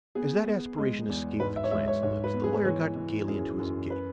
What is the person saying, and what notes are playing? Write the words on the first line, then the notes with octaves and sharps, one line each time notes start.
As that aspiration escaped the client's lips, the lawyer got gayly into his gig.
B3 G#4
B3
G#3
E2
G#2 B4
E5
C#5
G#3 E5
C#5
G#2 C#5
B4
B3
G#4
E3 C#5
E3
F#2 G#4
F#2
B4